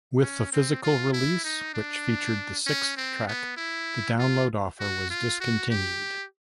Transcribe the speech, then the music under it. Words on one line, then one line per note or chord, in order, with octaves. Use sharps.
With the physical release, which featured the sixth track, the download offer was discontinued.
C#4
C4
F4
E4
D#4
D4
C#4
C4
B3
E4
F4
F#4
F4
F#4
G4